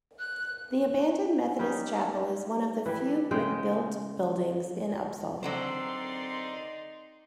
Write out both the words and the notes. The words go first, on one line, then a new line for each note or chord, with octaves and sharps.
The abandoned Methodist chapel is one of the few brick-built buildings in Upsall.
F#6
G3 C#4 D#4
E3 G3
C#3 G#3 G5
D3 F#3 C4 D#4 C5 D5 C6